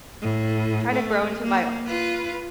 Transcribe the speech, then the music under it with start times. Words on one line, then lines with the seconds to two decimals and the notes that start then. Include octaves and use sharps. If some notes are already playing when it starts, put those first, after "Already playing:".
trying to grow into my o
0.22 A2
0.92 A3
1.42 A#3
1.86 F4 B4